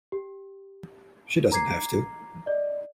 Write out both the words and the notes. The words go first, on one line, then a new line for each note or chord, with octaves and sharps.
She doesn't have to.
G4
A#5 D6 G#6 C7
D5 D#5